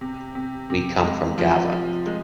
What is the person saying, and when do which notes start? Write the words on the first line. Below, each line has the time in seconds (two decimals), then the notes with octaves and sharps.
We come from Gavà.
0.01 C3
0.35 C3
0.70 C3
1.04 G#3
1.38 F3
1.72 F3
2.06 G#3